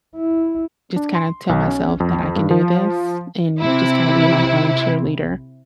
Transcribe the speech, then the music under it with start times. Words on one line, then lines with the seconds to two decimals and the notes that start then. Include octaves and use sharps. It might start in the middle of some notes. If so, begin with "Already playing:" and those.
just kinda tell myself that I can do this and just kinda be my own cheerleader.
0.16 E4
0.96 D4
1.15 C6
1.49 B1
1.68 C#4
2.00 F2
2.36 G2
2.51 F3
3.59 C3 E4